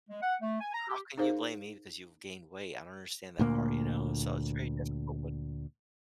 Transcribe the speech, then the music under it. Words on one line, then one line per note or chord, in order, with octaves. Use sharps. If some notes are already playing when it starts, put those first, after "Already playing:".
How can you blame me because you've gained weight? I don't understand that part, you know? So it's very difficult when
G#3
F#5
A3
G#5
A#5
G4
D#4 G#4 A#4 C5 F5
D2 A#2 A#3